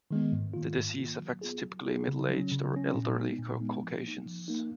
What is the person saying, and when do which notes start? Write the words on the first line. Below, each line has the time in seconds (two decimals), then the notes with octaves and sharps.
The disease affects typically middle-aged or elderly caucasians.
0.11 D#3 G#3 B3
0.32 G#2
0.54 D#3 A#3 F4
0.75 G#2
0.98 D#3 A#3 F4
1.20 F#3
1.41 B3 F4 G#4
1.63 F#3
1.85 B3 F4 G#4
2.08 C#3
2.30 F#3 C#4
2.51 C#3
2.73 F#3 C#4
2.95 A#2
3.16 G#3 B3 D#4
3.39 A#2
3.60 G#3 B3 D#4
3.82 F3
4.03 A#3 D#4
4.26 F3
4.48 A#3 D#4